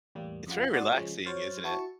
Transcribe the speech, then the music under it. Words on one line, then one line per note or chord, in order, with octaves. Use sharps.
It's very relaxing, isn't it?
E2 A2 G3 A#3
F2 C#3 F4 F#5
A2 F#4 D5 F#5 C6
C#3 F3 G#3 C#4
F#3 C5 C#5 F6 A6
E4 F#4 A5 C#6 C#7